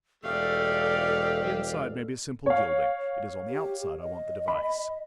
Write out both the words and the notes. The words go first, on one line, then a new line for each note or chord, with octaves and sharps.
The inside may be simple gilding: it is on the outside I want the device.
E1 A3 G4 A4 D5 F5
C#5 F5
G4
D#5
B5